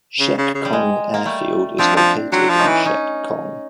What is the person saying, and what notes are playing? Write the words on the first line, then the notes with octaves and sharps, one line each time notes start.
Shek Kong Airfield is located in Shek Kong.
C#3
C#3
C#3
G3
G#3
A#3
G3 A3
F3 C4 D4
F3
F#3 C4 D4
F3
C#4 D#4
E3
C#4 D#4